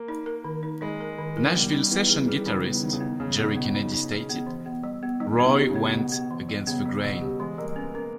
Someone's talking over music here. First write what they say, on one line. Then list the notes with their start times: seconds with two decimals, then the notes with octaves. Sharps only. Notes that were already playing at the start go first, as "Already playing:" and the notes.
Nashville session guitarist Jerry Kennedy stated, Roy went against the grain.
Already playing: A#3
0.08 D#4
0.26 A#4
0.45 D#3
0.63 D#4
0.81 G#3 D#4
1.01 A#4
1.19 D#3
1.36 E3 A#4
1.55 G3 B3
1.73 D#3 D#4
1.91 E3 B3
2.09 G#4
2.28 G3 G#4
2.46 C#3 D#4
2.65 B3
2.83 D#3 B3
2.93 C#3
3.00 D#3 B3
3.20 C#3 G#4
3.37 B2 D#4
3.55 B2 B3
3.75 D#4
3.92 D#4
4.11 G#4
4.29 B3
4.47 E3
4.66 B3
4.84 G3
5.03 B3
5.20 D#3 G3
5.39 B3
5.45 D#3
5.56 G4
5.69 C#3
5.76 B3
5.93 B2 B3
6.12 B3
6.31 E3
6.49 G3
6.67 C#3 B3
6.86 G3
7.04 B2 G3
7.21 G4
7.39 E3 G#3
7.58 G3 A#3
7.76 B3 C#4
7.94 A#3 C#4